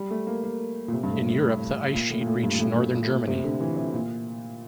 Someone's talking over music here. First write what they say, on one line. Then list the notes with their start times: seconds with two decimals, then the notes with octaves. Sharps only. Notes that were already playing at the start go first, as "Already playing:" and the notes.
In Europe, the ice sheet reached northern Germany.
Already playing: G3
0.11 A3
0.27 A#3
0.43 A#3
0.88 A#2
0.93 C3
1.03 G2
1.10 A2
1.27 A2
1.44 A2
1.93 A#2
2.10 A2
2.21 A#2
2.27 A2
2.43 G2
2.55 A#2
2.60 A2
2.73 A#2
2.77 A2
2.94 A#2
3.02 A2
3.10 A#2
3.27 C3
3.44 D3
3.60 E3
3.77 C3
3.93 A#2